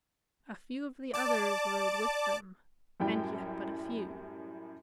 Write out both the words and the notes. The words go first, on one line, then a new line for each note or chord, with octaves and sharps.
A few of the others rode with them, and yet but a few.
D5 A5 D6
F#2 A2 G3 G5